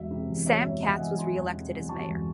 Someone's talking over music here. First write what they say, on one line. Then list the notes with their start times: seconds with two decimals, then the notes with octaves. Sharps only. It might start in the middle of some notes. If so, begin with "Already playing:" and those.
Sam Katz was re-elected as mayor.
Already playing: E1 F#3 E5
0.11 C3
0.29 E2
0.46 F#3 C#5 E5
0.64 E1 C#5 E5
0.82 C3 D#5 F#5
1.00 E2 E5 G#5
1.18 F#3 G#5 C6
1.36 E1
1.53 C3
1.72 E2
1.89 F#3 A5 C#6
2.07 E1